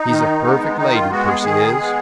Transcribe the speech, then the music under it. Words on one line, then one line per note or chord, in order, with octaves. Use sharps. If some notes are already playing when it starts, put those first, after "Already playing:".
He's a perfect lady, Percy is.
Already playing: D#4
D#3
G#3 B3
D#3 D#4
F4
G#3 B3 F#4
G#4
D#3 G#4
G#3 B3